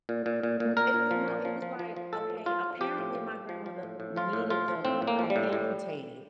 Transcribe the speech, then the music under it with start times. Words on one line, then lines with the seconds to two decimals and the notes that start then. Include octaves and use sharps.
M It was no, it was like okay, apparently my grandmother needed them, um, amputated.
0.09 A#2
0.26 A#2
0.43 A#2
0.60 A#2
0.77 A#2 A#4
0.94 A#2
1.11 F3
1.28 A#2
1.45 F3
1.62 F3
1.79 F3
1.96 F3
2.13 A2 A4
2.30 F3
2.46 F3 F4
2.64 F3
2.81 F3 G4
2.98 A2
3.15 F3
3.32 F3
3.49 F3
3.66 F3
3.83 A2
4.00 A2
4.16 F3 F4
4.33 A2
4.50 F3 F4
4.68 F3
4.84 A2 C4
5.02 A2
5.07 A#3
5.19 F3
5.30 G3
5.36 A2
5.53 A2